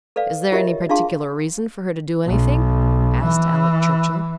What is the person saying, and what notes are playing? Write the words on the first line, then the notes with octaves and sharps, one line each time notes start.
"Is there any particular reason for her to do anything?" asked Alec Churchill.
A4 B4 D5 F5
F4 G4 A#4 C#5 D#5 E5
D4 F4 G#4 F5 A5 C6
B1
E3